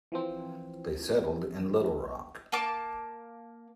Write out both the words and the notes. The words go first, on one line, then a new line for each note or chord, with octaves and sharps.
They settled in Little Rock.
E3 F3 C4
A#3 A5 D6